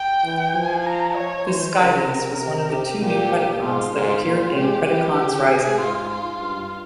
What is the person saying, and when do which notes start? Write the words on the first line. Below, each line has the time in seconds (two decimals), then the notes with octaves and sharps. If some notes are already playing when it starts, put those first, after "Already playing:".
This Skylynx was one of the two new Predacons that appeared in "Predacons Rising".
Already playing: G5
0.23 E3
0.55 F3 G#5
0.86 A#5
1.16 C#5
1.47 E3 C5
1.78 C#3 A#4
2.08 C3 A#4
2.39 C3
2.70 C3 G4
3.01 A#2 G4
3.63 G#2 F4
3.94 G#2 F4
4.24 A#2
4.55 G#3 G4
4.86 E3 G4
5.16 C#3
5.47 C3 G#4
5.78 G#2 F4
6.09 F4
6.40 G2